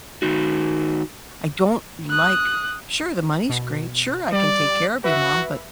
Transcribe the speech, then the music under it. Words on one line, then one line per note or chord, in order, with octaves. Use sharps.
I don't like sure, the money's great, sure, I can take care of you, mom, but,
D#3 D#4 F#4
D#6 F#6
B2
G3 D5
F#4 B4 E5